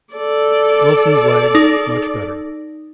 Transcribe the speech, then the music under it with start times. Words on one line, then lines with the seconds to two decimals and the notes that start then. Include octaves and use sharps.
Wilson's leg much better.
0.14 A4 D5
1.55 D#4